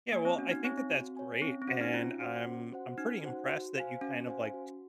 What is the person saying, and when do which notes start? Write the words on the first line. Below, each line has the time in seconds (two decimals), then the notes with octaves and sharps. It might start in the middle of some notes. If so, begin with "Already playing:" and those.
Yeah, well, I think that that's great, and I'm I'm pretty impressed that you kind of, like,
0.12 A#3 C#5 G#5
0.25 C4
0.38 C#4 F#4
0.51 D#4
0.64 C4 C#5 G#5
0.77 C4
0.90 F#4
1.16 C#5 G#5
1.42 C4 C#4
1.62 C4
1.67 C#4 F#4 C5 F#5
1.81 D#4
1.94 C#4 F4
2.20 F#4 C5 F#5
2.46 C#4
2.72 F#4 C5 F#5
2.98 C#4 D#4
3.23 F#4 C5 F#5
3.49 F#4
3.76 C5 F5 G#5
4.01 C#4 F#4
4.27 C5 F5 G#5
4.54 F#4